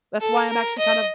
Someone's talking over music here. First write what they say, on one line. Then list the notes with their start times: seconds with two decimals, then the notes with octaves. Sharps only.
That's why I'm actually kind of
0.20 A4
0.49 A#4
0.78 D#5